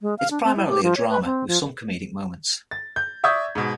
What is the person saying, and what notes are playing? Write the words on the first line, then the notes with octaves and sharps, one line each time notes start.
It is primarily a drama with some comedic moments.
G#3
F5
D4
C4
E4
G4
F3
C#5
B4
C4
F3
A6
G6
D5 E5 C#6 D#6 G6 G#6
G#2 B2